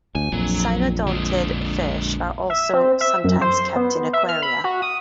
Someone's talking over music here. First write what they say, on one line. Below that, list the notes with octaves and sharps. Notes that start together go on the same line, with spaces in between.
Cynodontid fish are also sometimes kept in aquaria.
D2 G#5
A#1 F2 F#3
D3 G#3
E5
C4
E5
F#2
C5
B3
E5
F6
B5
F#4
D#6